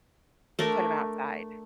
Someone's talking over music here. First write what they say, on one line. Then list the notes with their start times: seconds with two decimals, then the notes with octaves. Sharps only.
put 'em outside.
0.59 A3 D4 A#4